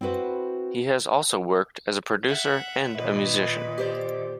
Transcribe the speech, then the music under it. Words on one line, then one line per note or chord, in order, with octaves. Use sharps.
He has also worked as a producer and a musician.
C4 E4 F#4 B4 C5
E5 F#5
A#2 D#3 B4 D#5
G4 C5 D5